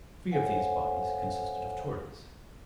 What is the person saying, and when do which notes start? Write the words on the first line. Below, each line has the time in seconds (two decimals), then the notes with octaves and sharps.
Three of these bodies consisted of Tories.
0.31 A4 C5 C#5 F5 F#5 G#5